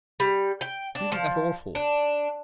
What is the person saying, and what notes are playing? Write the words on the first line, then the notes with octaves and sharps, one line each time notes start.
Isn't that awful!
G3
G5
D4
F3
D4